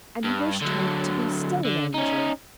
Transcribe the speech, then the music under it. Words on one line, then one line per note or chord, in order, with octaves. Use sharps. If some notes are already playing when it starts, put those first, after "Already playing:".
And he wished her to be still an angel.
G2
D3 F#3
D3
C#4 D#4